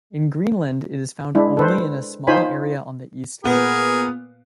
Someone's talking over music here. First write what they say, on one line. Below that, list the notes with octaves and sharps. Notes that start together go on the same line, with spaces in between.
In Greenland it is found only in a small area on the east coast.
G#3 D4 E4
A4 B4 C5
D#4 F4 C5 C#5 G#5 B5
A#2 B3 G#4 A#4